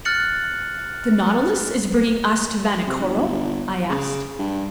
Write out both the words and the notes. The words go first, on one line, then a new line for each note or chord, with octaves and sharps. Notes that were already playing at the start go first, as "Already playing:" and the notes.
"The Nautilus is bringing us to Vanikoro?" I asked.
F6 F#6 A6 C#7 F#7
C3
G1
C#3
G2